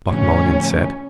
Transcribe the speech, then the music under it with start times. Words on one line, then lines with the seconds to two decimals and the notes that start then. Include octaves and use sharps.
Buck Mulligan said.
0.11 A2 D3 F3 C#4